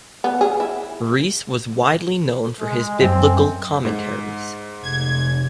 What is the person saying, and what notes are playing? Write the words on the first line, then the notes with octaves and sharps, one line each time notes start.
Rees was widely known for his biblical commentaries.
B3
G#4
E4
G#3
F#2 C4 G#5
G#2
F1 G#6